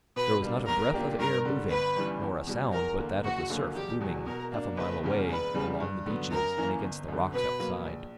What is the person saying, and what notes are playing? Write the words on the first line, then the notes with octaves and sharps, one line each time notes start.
There was not a breath of air moving, nor a sound but that of the surf booming half a mile away along the beaches and against the rocks outside.
B2 B4
G3 A#3 D4
B1 A#4
A#2 A#3 D4 G4
G2 A#4
D3 G3
G1 B4
G2 E3 G3 C#4
E2
B2 G3
E2 A#4
D3 A#3
F#1 F#4
F#2 D3 F#3 A#3
E1 G4
E2 B2 F#3
B2 A#4
A#3 D4
F#1 B4
E2 C#3 G3 C#4
E1 B4
E2 C#3 G3
G2
D3 F#3 B3
F#2 A#4
E3 A#3 C#4
G1
F#2 D3
B2 B4
F#3 A#3
A#1